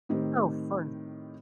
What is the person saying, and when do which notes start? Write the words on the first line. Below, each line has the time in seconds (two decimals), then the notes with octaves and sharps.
Oh, for
0.09 A2 D#3 C4 G4